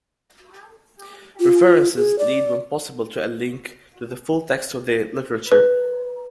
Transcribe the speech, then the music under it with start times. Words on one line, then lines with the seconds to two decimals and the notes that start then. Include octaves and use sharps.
References lead when possible to a link to the full text of the literature.
1.40 F4
1.96 G#4
2.19 D5
5.52 B4